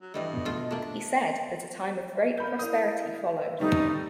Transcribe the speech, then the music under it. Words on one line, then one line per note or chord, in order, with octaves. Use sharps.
He said that a time of great prosperity followed.
F#3
G2 E3 G3 A3 D#5
B2
A3 F4
A3 A#3 D4
A#4 B5 G6
E4 A#4 D5 F5 D#6
B4 E5
C3 G3 A3 D#4 C#6 A6